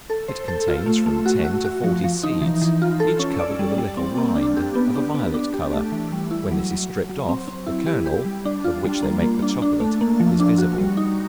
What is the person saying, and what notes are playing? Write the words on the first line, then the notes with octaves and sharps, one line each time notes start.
It contains from ten to forty seeds, each covered with a little rind, of a violet color; when this is stripped off, the kernel, of which they make the chocolate, is visible.
A4
C5
A4
F4
A3
A3
F#4
F#4
F#4
F3
F3
D#4
E3
E3
F4
A4
C#4
D5
G3
G3
C4
A#3
D4
G4
B3
D4
B3
D4
G4
A3
E3
G3
E4
F#3
F#3
F#3
F#3
C4
C4
E4
G4
G4
G3
D4
F4
G3
A#3
A#3
D4
D4
A3
A#3
F3
D4
F#4
G3
D#4